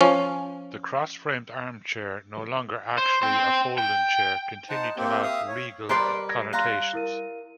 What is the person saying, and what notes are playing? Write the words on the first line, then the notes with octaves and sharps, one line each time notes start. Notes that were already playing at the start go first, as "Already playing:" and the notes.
The cross-framed armchair, no longer actually a folding chair, continued to have regal connotations.
F3 C#4
C5
C5 G5
G5
D#4 C5 F#5 A5
A#3 C4 G4
E5 F5 D#6
C#5
G3 A#4 B4 D5 C6
G#6 A#6
F5 A#5 C6 F#6
E4 A#4 D#7